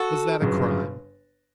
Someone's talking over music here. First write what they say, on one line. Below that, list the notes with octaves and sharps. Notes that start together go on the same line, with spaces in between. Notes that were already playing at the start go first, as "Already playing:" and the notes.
Was that a crime?
Already playing: F#4 A4
G1 F#2 C#3